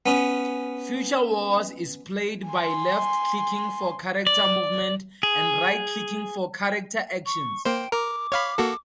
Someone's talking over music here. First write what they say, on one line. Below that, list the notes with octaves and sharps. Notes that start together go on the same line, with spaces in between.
"Future Wars" is played by left-clicking for character movement, and right-clicking for character actions.
B3 C#4
G#5 C6
D5
G#4
C#6
A#3 C5 G5
A#4 D6
C#5 F5 B5
A#3 F#4 A4